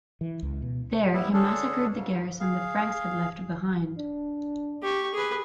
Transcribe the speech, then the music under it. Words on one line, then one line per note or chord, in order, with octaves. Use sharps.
There, he massacred the garrison the Franks had left behind.
E3
C#2
B2
G3 B3 E4
D3 C#4 D4 G#4 A4
G#2 C#3
G#4 F5
D4
G4 C#6
G#4 B4